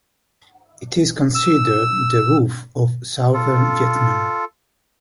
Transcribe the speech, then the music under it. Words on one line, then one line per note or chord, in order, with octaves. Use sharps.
It is considered "the roof of Southern Vietnam".
E6
F4 A4